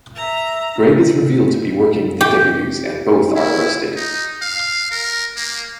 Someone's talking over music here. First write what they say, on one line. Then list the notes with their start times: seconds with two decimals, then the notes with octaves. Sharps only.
Greg is revealed to be working with the deputies and both are arrested.
0.15 E5 A#5
2.21 G4
3.36 E4
3.96 D#4
4.42 F5
4.91 A#4
5.36 A#3